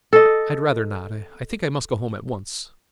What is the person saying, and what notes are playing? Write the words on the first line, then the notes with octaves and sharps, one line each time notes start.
"I'd rather not--I think I must go home at once."
A4 D#5